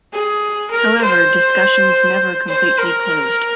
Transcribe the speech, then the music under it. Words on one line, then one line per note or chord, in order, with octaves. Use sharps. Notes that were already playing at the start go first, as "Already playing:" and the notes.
However discussions never completely closed.
G#4
A#4
C5
C5
A#4